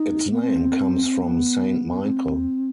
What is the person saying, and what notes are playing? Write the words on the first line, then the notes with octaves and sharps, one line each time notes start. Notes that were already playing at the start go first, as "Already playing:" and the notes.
Its name comes from Saint Michael.
Already playing: D#4
B3
C4
B3
C4